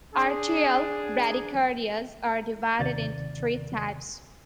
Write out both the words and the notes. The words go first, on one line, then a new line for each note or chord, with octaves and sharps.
Atrial bradycardias are divided into three types.
D4 G#4
D#2 C3 D#3 D5 A6